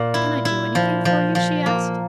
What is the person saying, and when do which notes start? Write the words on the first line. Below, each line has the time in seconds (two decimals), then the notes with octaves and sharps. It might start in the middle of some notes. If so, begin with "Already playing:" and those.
"Can I do anything for you?" she asked.
Already playing: A#2 A#3
0.14 E4
0.45 E4
0.75 F3
1.05 F3
1.35 F3
1.66 A#3